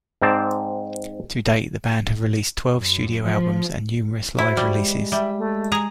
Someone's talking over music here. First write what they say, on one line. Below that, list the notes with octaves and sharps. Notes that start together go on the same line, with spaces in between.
To date, the band have released twelve studio albums, and numerous live releases.
G#2 C4 D5 A5
F#2
F3
E4 F#4 C5
G3
G#3
G3 E5
A3
G#4 A#5